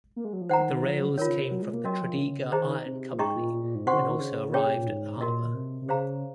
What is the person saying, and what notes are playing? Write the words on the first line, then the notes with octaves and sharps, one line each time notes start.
The rails came from the Tredegar Iron Co, and also arrived at the harbour.
A#3
G#3
F#3
F3
D#3 C5 F#5 A#5
F3
F#3
C#3
D#3 F4 A#4 C#5
C#3
C3
F#3
G#3
A#3
F#3 C#4 F#4 A#4 D#5
F3
C#3
D#3 D#4 G#4 C5 D#5 A#5
D#3
C3
A#2
G#2 C#4 G#4 D#5 A#5 C#6
A#2
A#2
A#2
G#2
C3 F#4 C5 F#5 C#6
D#3
C#3
D#3
C#3
D#3
C#3 C#4 G#4 C#5
C3
A#2
G#2
C3
A#2 F#4 A#4 D#5
C3
C3
C#3 G#4 C5 F5 A#5